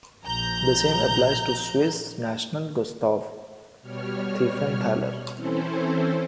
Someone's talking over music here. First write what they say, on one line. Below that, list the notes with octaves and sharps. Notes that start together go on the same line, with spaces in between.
The same applies to Swiss national Gustav Thiefenthaler.
A#1 A#5 G6
B2 G3 C#5 F6
E3 C4 C#4 E4 A4 C5